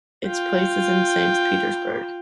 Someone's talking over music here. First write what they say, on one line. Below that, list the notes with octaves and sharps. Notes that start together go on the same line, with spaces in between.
Its place is in Saint Petersburg.
F4 G5